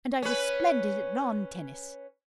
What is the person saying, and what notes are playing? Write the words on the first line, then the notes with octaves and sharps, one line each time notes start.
"And I was splendid at lawn tennis."
C#4 B4